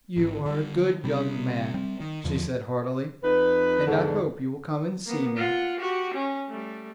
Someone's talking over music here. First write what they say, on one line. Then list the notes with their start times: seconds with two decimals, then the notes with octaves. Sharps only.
"You are a good young man," she said heartily. "And I hope you will come and see me."
0.17 G#1
0.46 D3 G3
1.04 C3 G3
1.74 G3 C4
2.00 D#3
2.24 E2 D3 F3
3.23 F2 D#4 B4
3.87 E2 G#2 D3
5.06 A#3 B3
5.37 F4 F#5
5.80 F#4 G4
6.14 C#4
6.49 G3 A3